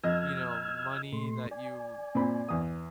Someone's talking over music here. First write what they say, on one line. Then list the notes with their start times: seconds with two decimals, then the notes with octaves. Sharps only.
you know, money that you
0.04 F2 D#5 E6 F6 G#6
1.13 A#2 A3 C6
1.51 D5 G#5
2.15 A#2 C4 B5
2.48 E2 D#6